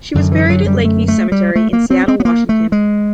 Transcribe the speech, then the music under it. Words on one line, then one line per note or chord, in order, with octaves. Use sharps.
She was buried at Lake View Cemetery in Seattle, Washington.
F#2 D3 D#3
E3
F#3
G3
A3
A3
G3
A3
A#3
C4
C4
B3
A#3
A3
G#3